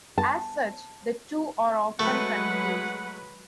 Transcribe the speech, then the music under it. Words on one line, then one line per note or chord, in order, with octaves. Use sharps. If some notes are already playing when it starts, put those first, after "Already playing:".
As such, the two are often confused.
A5
F#3 G#3 A3 B4 F#5